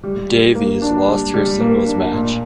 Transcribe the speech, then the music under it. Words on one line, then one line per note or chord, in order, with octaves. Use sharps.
Davies lost her singles match.
G3
G3
A#3
D4
G3
G3
A#3
D4
A#2